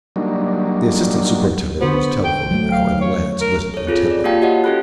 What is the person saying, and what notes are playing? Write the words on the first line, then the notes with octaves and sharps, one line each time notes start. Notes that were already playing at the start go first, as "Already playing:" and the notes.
The assistant superintendent was telephoning now, and the lads listened intently.
F#3 G3 A#3 D4 D#4
D3 B3 F#4 C5
G5
F#3 A3
F5
C#5
A#4
A4 C#5
C4 F4 G#4 A4
D5
A#3 F4 G4 F5 G5 A5
F#4 G4 C#5 D#5 F#5
C#4 G4 A4 B5 F#6